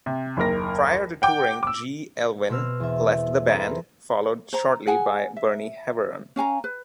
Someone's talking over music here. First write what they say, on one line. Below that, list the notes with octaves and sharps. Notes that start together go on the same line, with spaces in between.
Prior to touring, G. Elwyn left the band, followed shortly by Bernie Heveron.
C3
F#1 D#2 A#4 A#6
F#5 G5 D6
D6 E6
B2 C4 E6 F6
E2 E5
C4 G#4 A4 B4 A#5
C5 A#5
G#4 F#5 G#5
E5
C#4 F5 G#5 A#5
B4